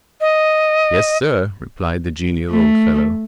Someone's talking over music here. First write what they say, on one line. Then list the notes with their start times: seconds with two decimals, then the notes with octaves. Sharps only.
"Yes, sir," replied the genial old fellow.
0.21 D#5
2.51 A3